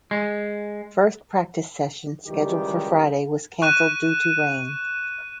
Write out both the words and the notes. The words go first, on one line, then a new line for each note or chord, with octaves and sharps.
First practice session scheduled for Friday was cancelled due to rain.
G#3
C#2 D#3 E3 G3 G4
C#6 F#6 D#7 E7